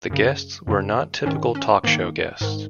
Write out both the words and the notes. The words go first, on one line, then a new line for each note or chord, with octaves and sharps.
The guests were not typical talk show guests.
F#2 C#3
F#2 C#3
G#2 D#3 C#4
C#4
G#2 D#3 A#3
G#2 D#3